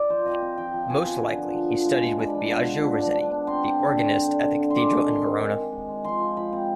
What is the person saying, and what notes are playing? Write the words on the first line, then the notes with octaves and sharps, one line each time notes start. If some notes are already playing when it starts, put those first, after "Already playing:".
Most likely he studied with Biagio Rossetti, the organist at the cathedral in Verona.
Already playing: D5
F3 C5
C4 D#5
C4
F3 G5
F3
F3 G#5
B3
D3
F3
F3
F3
G#3
G#3
D4 B5
F3
B3
F3
D4
D4
D4
B3
C4 C6
C4
D3
C4
D3
D3
D3
D3
C6
G#3 D6
D4
D#3 C6
D#3
G#3
D#3
G#3
G#3
F3 C6
F3
F3 B5
C4